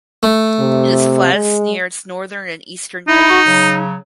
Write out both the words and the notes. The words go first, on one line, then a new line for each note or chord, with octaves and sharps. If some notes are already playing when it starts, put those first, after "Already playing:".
It is flattest near its northern and eastern edges.
A3
C3
G#3
D#4 E4
F#4
C#3 F#3